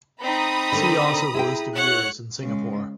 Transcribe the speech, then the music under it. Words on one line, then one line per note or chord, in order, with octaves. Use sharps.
See also the list of years in Singapore.
C4 D#4 A#5 B5 D#6
D3 A#3
E4 G#4 G5
C#5 F#5 F#6
C#3 G#3